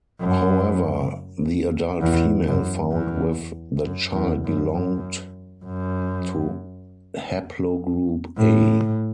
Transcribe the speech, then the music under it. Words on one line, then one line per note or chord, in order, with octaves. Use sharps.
However, the adult female found with the child belonged to haplogroup A.
F#2
E2
F#2
E2
F#2
E2
F#2
F#2
F#2
A2